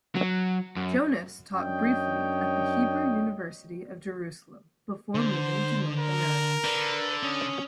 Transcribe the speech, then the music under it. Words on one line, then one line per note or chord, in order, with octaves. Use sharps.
Jonas taught briefly at the Hebrew University of Jerusalem before moving to North America.
F#3
F#2
F#2 D4 C#5 D#5 G5
D3 C5
A#4
D3 B4
C#4 D#6